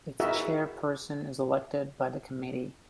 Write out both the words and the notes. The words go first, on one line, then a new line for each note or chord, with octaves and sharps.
Its chairperson is elected by the committee.
E4 F#4 G#4 A#4 D#5 E5